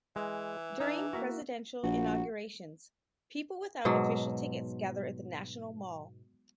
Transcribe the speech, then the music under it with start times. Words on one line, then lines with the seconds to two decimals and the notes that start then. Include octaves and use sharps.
During presidential inaugurations, people without official tickets gather at the National Mall.
0.16 E3 G#3
0.80 E3 D4 D#4
1.13 A#3 E4 F#4 A#4 E5
1.83 A#1 F#4
3.85 G#2 B2 F#3